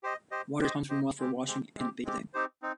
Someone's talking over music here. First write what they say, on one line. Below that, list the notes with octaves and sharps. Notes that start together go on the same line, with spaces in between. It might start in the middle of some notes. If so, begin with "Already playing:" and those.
Water is pumped from wells for washing and bathing.
G4 C5 D#5
G4 C5 D#5
G4 C5 D#5
G4 C5 D#5
G#3 C4 G4
G#3 C4 G4
G#3 C4 G4
G#3 C4 G4
C4 D#4 G4 C5
C4 D#4